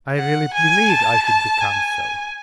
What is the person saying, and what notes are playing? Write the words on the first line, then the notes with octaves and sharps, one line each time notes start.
I really believed I should become so.
F#5
G#5
A5
A5
G#5